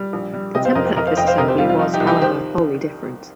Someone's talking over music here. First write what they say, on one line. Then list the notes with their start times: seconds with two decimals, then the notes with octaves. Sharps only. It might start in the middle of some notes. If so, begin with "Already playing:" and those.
The temper of this assembly was, however, wholly different.
Already playing: G3
0.13 A#1
0.33 G3
0.54 C3 D#5 G5
0.65 C5 F5
0.75 F2 A#4 D#5
0.86 G4 C5
0.96 F2 A#4 D#5
1.07 C5 F5
1.17 F1 D#5 G5
1.27 C5 F5
1.38 C3 A#4 D#5
1.48 G4 C5
1.58 G3 F4
1.69 F4
1.79 F3 D#4
1.93 D#4 G4
2.00 C2
2.07 D#4 G4
2.21 D#3 G4 C5